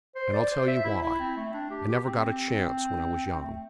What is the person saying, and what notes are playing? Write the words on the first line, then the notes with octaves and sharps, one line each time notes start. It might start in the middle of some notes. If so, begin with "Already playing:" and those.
And I'll tell you why; I never got a chance when I was young.
C5
D5
C5
E5
E4
E4
C4
A3
D4
G4
G4
C4
C4
A3